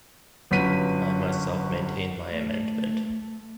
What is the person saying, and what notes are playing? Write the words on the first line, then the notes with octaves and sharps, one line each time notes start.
I myself maintain my amendment.
G1 F#2 C#4 B4 B6 D#7
A3